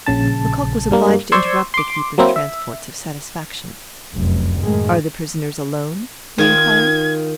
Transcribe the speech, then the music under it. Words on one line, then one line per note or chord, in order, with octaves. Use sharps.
Lecoq was obliged to interrupt the keeper's transports of satisfaction. "Are the prisoners alone?" he inquired.
A#1 C#3 A5
G2 G3 A#3
C5 D5 C6 C#6 E6 G#6
C6 D6
F#3 A#3 C4 E4
E5
F1 C2 F#2
F#2 A2 D#3 G#3 A3
D#3 F4 G#6